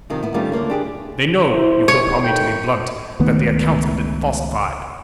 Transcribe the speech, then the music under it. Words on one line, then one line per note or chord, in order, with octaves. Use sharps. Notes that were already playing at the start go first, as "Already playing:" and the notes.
They know--you compel me to be blunt--that the accounts have been falsified.
C3 D#3 F3
B3 E4
D#3 G3 A3 B3 C#4 F4
D2 D3 A#3 C#5
D4 G4 G#4
E4 C5
D#2 C3 C#5
D#3 A3 G5
C#2 D#3 A3 B3